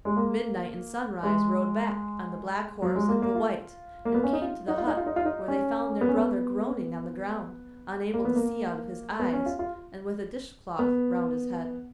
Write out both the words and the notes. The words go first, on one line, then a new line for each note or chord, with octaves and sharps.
Midnight and Sunrise rode back, on the black horse and the white, and came to the hut, where they found their brother groaning on the ground, unable to see out of his eyes, and with a dishcloth round his head.
G#3
A#3
G#3
F#3
G#3
A#3
A#3
F4
A#3
B3
C#4
D#4
F4
D#4
F4
D#4
F4
D#4
F4
D#4
C#4
B3
C#4
B3
A#3
B3
A#3
B3
C#4
F4
F4
B3